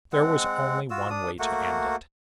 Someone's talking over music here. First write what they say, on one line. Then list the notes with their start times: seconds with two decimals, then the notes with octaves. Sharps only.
There was only one way to end it.
0.13 G#3 C4 F#5
0.90 F4 F#4 E6
1.10 D4 D#6
1.39 A3 A#3 F#4 F#5